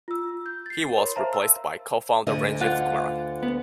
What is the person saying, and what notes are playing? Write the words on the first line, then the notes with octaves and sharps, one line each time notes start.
He was replaced by co-founder Ranjith Kumaran.
F4 E6
G6
A6 C7
A#4 C#5 B5 C6
C5 E5 F5 A5 A#5
E6
D2 D3 D#5
F4 F#5
B3